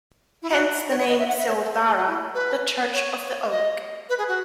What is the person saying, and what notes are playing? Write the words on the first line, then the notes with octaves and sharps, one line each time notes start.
Hence the name Cill Dara, the church of the oak.
E4
F#4
C#5
C#5
D#5
E5
F#5
E5
C#5
A4
G#4
F#4
E4
B4
C#5
D#5
B4
G#4
F#4